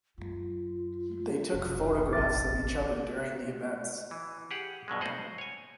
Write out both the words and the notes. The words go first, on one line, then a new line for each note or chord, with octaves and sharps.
They took photographs of each other during the events.
F#2 F4
F1 B1
A1 C#4 D6 A6
E3
G4 G#4 F#5
G2 B2 F#3 G#3
C5 D#5 F#5
C#5 G#5